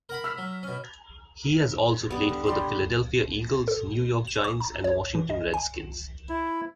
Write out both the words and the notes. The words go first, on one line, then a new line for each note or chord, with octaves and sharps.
He has also played for the Philadelphia Eagles, New York Giants, and Washington Redskins.
A#4 F#5 B5
E6 F6 B6
F#3
B2 C#4
G3 B3
D3
G4 D5 B5 C6
A4
E7
C#6
A#5
C#5
E3
D#5
G#5
E4